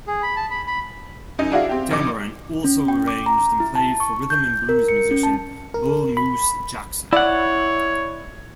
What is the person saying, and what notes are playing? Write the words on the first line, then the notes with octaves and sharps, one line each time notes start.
Dameron also arranged and played for rhythm and blues musician Bull Moose Jackson.
G#4
B5
A5
B5
B5
F#2 D#4
D4 E4 F#4 G#4 F5
C4 G4
A#1 D#4 D6
C#4
G5
D6
A#5
E4
A5
C#6
G6
A#4
C#7
C#4
A5
A#4
B5
E4 C#5 D5 F#5